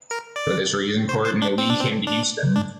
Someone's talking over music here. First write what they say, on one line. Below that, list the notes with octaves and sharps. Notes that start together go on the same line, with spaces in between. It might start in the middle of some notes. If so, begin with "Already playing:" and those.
For this reason, Courtney Lee came to Houston.
A#4
D5
C5
C5
D4
C4
D4
C4
D4
D4